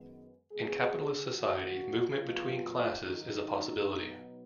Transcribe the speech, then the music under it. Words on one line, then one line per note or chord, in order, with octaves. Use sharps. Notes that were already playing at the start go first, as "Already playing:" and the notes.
In capitalist society movement between classes is a possibility.
Already playing: F#2 D#3 G#3 B3
B2 G#3 B3 G#4
F#2 D#3 A#3 F#4
A#2 F#3 B3 F4
F2 D#3 F#3 D#4
B2 F#3 B3